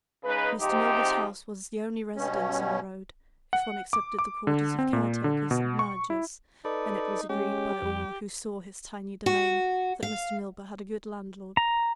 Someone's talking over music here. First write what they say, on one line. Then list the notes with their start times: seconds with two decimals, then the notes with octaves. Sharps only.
Mr. Milburgh's house was the only residence in the road, if one excepted the quarters of caretakers and managers, and it was agreed by all who saw his tiny demesne, that Mr. Milburgh had a good landlord.
0.24 C#3 G#3 D#4 B4
0.59 G#2 C3 F3 C4 D#4 G4
2.16 G2 B2 C#4
3.53 F#5
3.93 D6
4.19 D6
4.47 D3
4.79 C4
4.93 A#2
5.24 D3
5.51 B2
5.79 C#6
6.10 E4
6.65 D#4 A4 B4 D5
7.29 G#3 C#4 G4
7.82 F2
9.26 F#4
10.03 F5
11.57 A#5